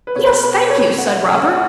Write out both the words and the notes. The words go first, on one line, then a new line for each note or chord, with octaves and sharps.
'Yes, thank you,' said Robert.
B4
B2 B3 C#5
C#5
F#5
C#3 A3 F#5
F#5